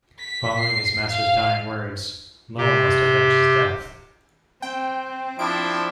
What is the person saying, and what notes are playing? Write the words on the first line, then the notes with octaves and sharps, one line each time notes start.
Following his master's dying words, Lo must avenge his death.
B6
C7
F5
C3 G4
C4 G5
F3 D4 E4 D7